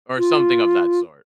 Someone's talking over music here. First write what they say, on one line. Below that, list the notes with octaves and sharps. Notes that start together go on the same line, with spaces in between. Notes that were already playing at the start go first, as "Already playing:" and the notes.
or something of that sort.
F4